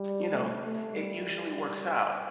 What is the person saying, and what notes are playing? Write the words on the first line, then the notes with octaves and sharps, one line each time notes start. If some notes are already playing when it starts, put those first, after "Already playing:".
you know, it usually works out.
Already playing: G3
A3
A3
G3